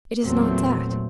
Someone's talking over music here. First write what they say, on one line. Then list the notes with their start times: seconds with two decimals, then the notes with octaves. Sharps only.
"It is not that."
0.22 E2 A#2 F#3 A3 C4